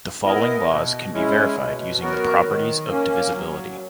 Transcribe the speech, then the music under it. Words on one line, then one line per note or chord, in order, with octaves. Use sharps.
The following laws can be verified using the properties of divisibility.
B3 E4 A#4 D#5
B2
G#3 C#4 E4
B2
F#3 B3 F#4 A#4
D#3
A#3 C#4
F#3